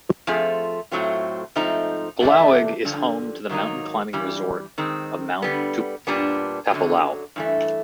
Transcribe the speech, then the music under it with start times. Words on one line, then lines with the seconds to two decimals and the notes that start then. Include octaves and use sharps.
Palauig is home to the mountain climbing resort of Mount Tapulao.
0.27 F3 A3 C4 F4 G#4
0.91 A2 F#3 A3 C4 F4
1.56 G#2 F3 A3 C4 D#4
2.20 E2 C3 E3 A3 D4
2.85 G2 D3 F3
3.49 G#2 D#3 F#3 A#3 D#4
4.13 G2 E3 G3
4.78 D#3 G#3 C4
5.42 D3 G3 B3
6.07 A#2 G3 B3 D4
6.71 F#2 D3 F#3
7.36 G2 E3 A3